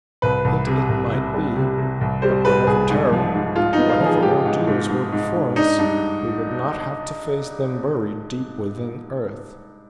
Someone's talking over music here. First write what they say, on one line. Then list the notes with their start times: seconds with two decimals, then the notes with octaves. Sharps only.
Pit it might be, but whatever terror, whatever ordeals were before us, we would not have to face them buried deep within earth.
0.22 C2 B4
0.45 C2
0.67 C3
0.89 C2
1.12 C3
1.34 G3
1.56 C3
1.78 C3
2.01 C2
2.22 G3 C5
2.45 G3 B4
2.67 C2 G#4
2.90 G#2
3.12 F3
3.34 G#2
3.56 G#2 F4
3.73 B3 D#4
3.89 F4
4.00 F3
4.06 G#4
4.22 G#2 G4
4.45 G#2
4.67 G#2
4.90 G#2
5.12 G#2
5.34 G#2
5.56 D4 D#4
5.78 G2